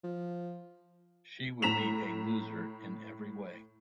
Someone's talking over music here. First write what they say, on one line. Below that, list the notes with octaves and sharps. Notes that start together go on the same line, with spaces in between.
She would be a loser in every way.
F3
A2 A#5 B6 E7 F7